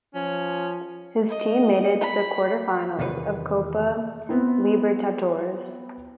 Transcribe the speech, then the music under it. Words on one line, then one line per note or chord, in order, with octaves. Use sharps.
His team made it to the quarter finals of Copa Libertadores.
F3 C#4
D#5
B5
E2 C3 D#3 B4
B3 C4 E4